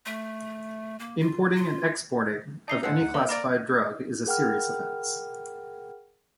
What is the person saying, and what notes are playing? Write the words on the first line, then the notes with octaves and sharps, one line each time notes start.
Importing and exporting of any classified drug is a serious offence.
A3
A#3
F4
F4
D#4 D5 E5 A5 D#6 C7 G7
A2 D#3 F3 G#3 F#5 E6 C7
D2 D#4 C#7
A3 A#3 C5 F5
C4 F#4 A#4 D5 B5 D6 A6
G#4 A#4 F#5 G5 B5 F6